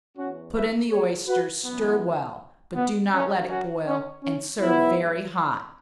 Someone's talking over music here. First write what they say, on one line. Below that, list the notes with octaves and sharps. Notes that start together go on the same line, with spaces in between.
Put in the oysters, stir well, but do not let it boil, and serve very hot.
E2 E3 C#4 F#4
B4 E5
G#4 C#5
F#4 B4
F#2 E3 B3
B3
F#2 F#3 C#4
C#4 F#4
C#4
C#4
G#2 F#3 B3 E4